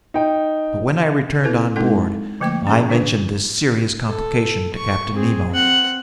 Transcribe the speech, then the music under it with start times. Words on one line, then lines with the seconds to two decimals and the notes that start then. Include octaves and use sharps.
But when I returned on board, I mentioned this serious complication to Captain Nemo.
0.14 D#4 G5
1.44 C4 E4 A4 B4
1.76 G#3 C4 D#4 E4 A4
2.40 D3 F3 A3 A#3 G5 D6
2.67 C#4 G#4
2.88 D3 B3 D4 F4 B4
4.08 A4
4.74 C#6
5.14 C4 G#4
5.51 C4 F#5